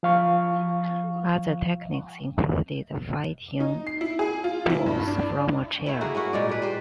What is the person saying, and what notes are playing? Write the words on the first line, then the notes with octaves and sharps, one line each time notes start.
Other techniques included fighting bulls from a chair.
F3 F5 C#6
D#4
C7
E4
G#4
F4
E4
G2
D4
A3 E4
A#3 F#4 G#4
C#4 E4 F#4 C#5
A#2 G#3 D5
G#3 B4
G4 C5